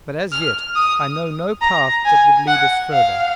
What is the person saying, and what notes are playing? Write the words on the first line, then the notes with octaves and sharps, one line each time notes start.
But as yet I know no path that would lead us further.
F6
D#6
A#5
G#5
F#5
F5